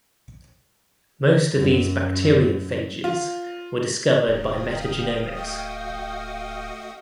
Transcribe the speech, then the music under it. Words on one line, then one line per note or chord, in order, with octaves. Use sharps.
Most of these bacteriophages were discovered by metagenomics.
F#2
F4
D1 F#2 F5 G5 D#6
A3 F#4 D#5